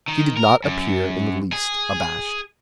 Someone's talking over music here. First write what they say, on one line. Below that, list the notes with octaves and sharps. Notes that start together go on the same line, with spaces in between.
He did not appear in the least abashed.
D#3
A#4
F#2
G#4